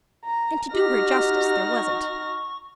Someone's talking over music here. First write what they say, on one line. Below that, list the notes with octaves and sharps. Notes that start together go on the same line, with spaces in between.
And, to do her justice, there wasn't.
A#5
D#4 F#4 G4 F6 A#6
C#6